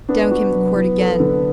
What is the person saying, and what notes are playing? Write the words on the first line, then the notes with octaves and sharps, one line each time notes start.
Down came the quirt again.
B3 D4
F#4
F#3
E4
A4
D3